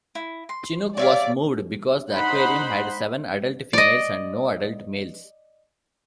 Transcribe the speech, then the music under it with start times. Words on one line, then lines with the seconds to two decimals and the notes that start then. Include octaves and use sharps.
Chinook was moved because the aquarium had seven adult females and no adult males.
0.15 E4
0.49 C6
0.97 C#5 D5 E5 F5
2.12 D#4 C5 F#5 B5 C6
3.73 D5 D#5